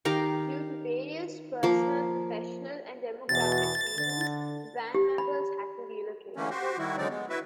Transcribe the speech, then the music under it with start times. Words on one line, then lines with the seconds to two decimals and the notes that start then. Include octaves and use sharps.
Due to various personal, professional, and demographic reasons the band members had to relocate.
0.05 D#3 G4 F5 A#5
1.63 F3 A#3
3.29 E2 B2 A6
3.98 D3
4.95 G4
5.18 B5
6.36 D3 E3 A3 A#3 C#4
6.50 F#4 G4 C5
6.78 D#3 G3 E4 F#4
6.98 D3 F#3 G#3 C4 D#4 D5
7.10 G#3 B3
7.30 E4 F#4 B4 E5